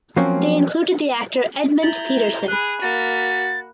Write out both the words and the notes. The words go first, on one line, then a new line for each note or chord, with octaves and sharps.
They included the actor Edmund Petersen.
F3 F#3 A#3 C4 C#4
E4 A#5 G6 A6 F#7
G#4 B5 F#6
A#3 F#4 A6 B6